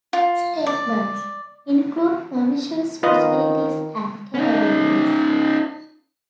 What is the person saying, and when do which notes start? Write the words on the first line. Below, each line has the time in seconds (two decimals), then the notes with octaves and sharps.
"Statements" include permissions, possibilities and capabilities.
0.13 F4
0.66 D5
3.03 D#3 F4 B4 D#5
4.35 C#4 D#4